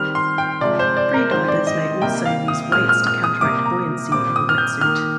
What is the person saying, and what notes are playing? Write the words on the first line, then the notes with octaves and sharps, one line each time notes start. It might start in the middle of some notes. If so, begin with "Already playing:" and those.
Free divers may also use weights to counteract buoyancy of a wetsuit.
Already playing: D#3 G3 C4 F6
C6
G5
C3 F3 G#3 D5
C5
D5
A#4
D#3 G#3 C4 C5
D5
D#5
C3 G3 A#3 G5
F5
D#6
A#2 G#3 C4 F6
F6
F6
D#6
C3 G3 A#3 D6
A#5
A#2 G3 C4 D6
D#6
F6
G6
D#3 A#3 F6